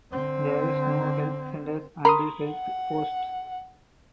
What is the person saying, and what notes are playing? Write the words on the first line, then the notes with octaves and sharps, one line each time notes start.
There is no health centers and health posts.
D3 C4
A#4 B5 C6 D#6
F#5